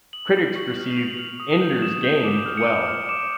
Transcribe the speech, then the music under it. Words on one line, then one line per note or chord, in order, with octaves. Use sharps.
Critics received "Ender's Game" well.
D#6 F#7
G6
C#6
F6
C#6 F7
F#7
F6 F7
D#6
G6
F7
D#6 E7
G6
D6
F6
C#7
D6 D7
F6
D6 E7